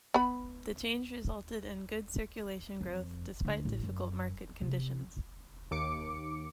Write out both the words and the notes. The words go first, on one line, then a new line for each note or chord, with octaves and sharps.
The change resulted in good circulation growth, despite difficult market conditions.
B3 B5
F2
D2
A1
F#2
C3
D#2 D6 C#7